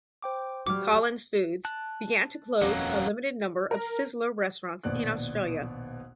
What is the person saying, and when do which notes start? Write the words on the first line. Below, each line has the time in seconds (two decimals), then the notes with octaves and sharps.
Collins Foods began to close a limited number of Sizzler restaurants in Australia.
0.22 C5 G5 D6
0.67 G3 F#4 D6 F6
1.65 A5 F#6
2.62 D#1 F2 F#3 A#3 C#4 A4 B4 D#5
3.71 A#4
4.83 A#1 D#2 B2 D5 F#6